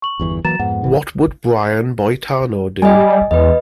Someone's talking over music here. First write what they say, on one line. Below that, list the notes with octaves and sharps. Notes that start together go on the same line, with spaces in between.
What Would Brian Boitano Do?
C#6 F#7
G1 E2 E3
E3 F#3 A#3 A#5 A6 E7
F2 G#2 B3 F#5
G#1 E3
G3 D#5 G#5
E2 B4 D#5